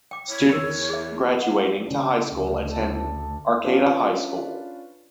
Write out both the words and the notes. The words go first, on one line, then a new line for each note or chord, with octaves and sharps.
Students graduating to high school attend Arcata High School.
G5 D6
E4 C#5
E2 A#4 B5
G#4 E5
F#5
C#3 C#4 D4
D2
D4 A4
C#4 D4 F4 B4